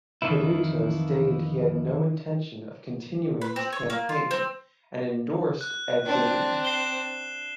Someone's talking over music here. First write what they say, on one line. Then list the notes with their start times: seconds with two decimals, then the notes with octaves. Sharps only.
Peduto stated he had no intention of continuing his campaign and endorsed Ed Gainey.
0.22 F2 D#3 E3 E4
3.41 B4
3.56 C4
3.73 C#5
3.90 A#3
4.09 F4
4.31 C4
5.61 F#6
6.05 C4 D4
6.65 C7 E7 G7